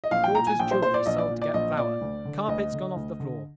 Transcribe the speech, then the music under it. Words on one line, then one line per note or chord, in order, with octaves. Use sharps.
Daughter's jewelry sold to get flour. Carpets gone off the floor.
D#5
A#1 F5
G5
A#2 A#5
G#5
A#1 G5
C5
A#2 C5
D5
A#1 D#5
D5
A#2
D5
A#1 D#5
A#2 D5
D2
D3
D2 D#5
D3
D2
D3